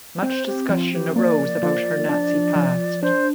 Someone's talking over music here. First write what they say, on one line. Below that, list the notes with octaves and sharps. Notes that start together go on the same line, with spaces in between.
Much discussion arose about her Nazi past.
C4 C5
G4
F3 F4
G4
A#3 D5
F3
D4
F3
D4 C5